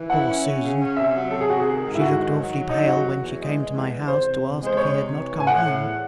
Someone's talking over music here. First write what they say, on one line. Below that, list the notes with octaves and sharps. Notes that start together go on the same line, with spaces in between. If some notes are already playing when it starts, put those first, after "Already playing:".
Poor Susan! she looked awfully pale when she came to my house to ask if he had not come home.
Already playing: E3
E4 F#5
C#4
C#4
C#3
C#4
C3 E5
F#3
C3 A4
G#4
C3 F#4
G#4
D#3
G#2
E4
G#2 F#4
D#3
F#3
E2
F#3 D#4
E2 F#4
E2
E2
G#3
G#3
E2
E2
C3 C5
C3
E2
G#3
C5
C3 C#5
C3
E3
A2
G#5
A2 F#5
A2
E2